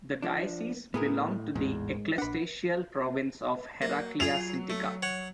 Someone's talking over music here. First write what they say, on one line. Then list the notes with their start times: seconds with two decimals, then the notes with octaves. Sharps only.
The diocese belonged to the ecclesiastical province of Heraclea Sintica.
0.22 F3 D4
0.94 A2 B3 G#4 A#4
1.55 A1 E2 G#2
2.18 A#1 D4 F#5 B5
3.82 F#3 A#3
4.20 F4 G#4 F7
4.70 A3
5.03 C#5 F#5